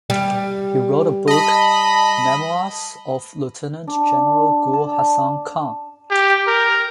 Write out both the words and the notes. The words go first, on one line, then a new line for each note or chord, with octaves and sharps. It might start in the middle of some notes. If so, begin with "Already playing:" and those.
He wrote a book "Memoirs of Lieutenant General Gul Hassan Khan".
G3
D#5 A5 B5
D4
A5
G4
A#4